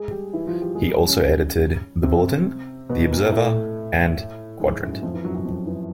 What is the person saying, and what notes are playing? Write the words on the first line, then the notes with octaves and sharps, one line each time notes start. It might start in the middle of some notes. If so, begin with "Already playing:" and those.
He also edited "The Bulletin", "The Observer" and "Quadrant".
Already playing: G#3 G#4
G3 G4
E3 E4
F3 F4
G3 G4
G#3 G#4
G3 G4
C#3 C#4
C3 C4
B2 B3
A#2 A#3
A2 A3
G#2 G#3
F#2 F#3
F2 F3
E3
F#2 F#3
F#2 F#3
F2 F3
E3